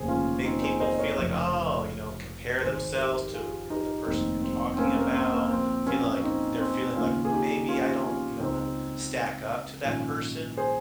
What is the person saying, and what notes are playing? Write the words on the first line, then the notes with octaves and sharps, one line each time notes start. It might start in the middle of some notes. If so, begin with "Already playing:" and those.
make people feel like, "Oh" you know, compare themselves to, you know, the person you're talking about, feeling like they're feeling like maybe I don't, you know, stack up to that person,
Already playing: F1 D#2 C#3 G#4 C5
C#4 F4
C4 D#4
G#4 C5
C5 D#5
A#4 C#5
F1 F2 C#3
G#1 G#2 D#3 G#4 C5
G4 A#4
F4 G#4
D#4 G4
F1 D#2 D#3 C4 D#4
C4
C4
A#3 C#4
A#3
C4
A#3
A#1 A#2 C4
A#3 C#4
C4 D#4
C4 D#4
D#2 C#3 C#4 F4
G#4
D#4 G4
C#4 F4
C#4 F4
C#2 C#3 C4 D#4
A#1 G#2 D#3 C#4 F4
G#4 C5